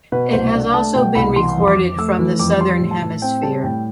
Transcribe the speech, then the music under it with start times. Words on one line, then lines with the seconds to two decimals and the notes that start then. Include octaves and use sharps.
It has also been recorded from the Southern Hemisphere.
0.12 B2 B4
0.33 C2 C5
0.54 D4
0.74 A3 A5
0.95 B2 G5
1.15 C2 B5
1.36 E3 C6
1.57 F2
1.68 D6
1.77 F2
1.98 A3 E6
2.19 E3
2.39 F2 D6
2.61 G3 C6
2.81 A2
2.91 A5
3.01 A2
3.22 C4 G5
3.43 G3 A5
3.64 A2 G5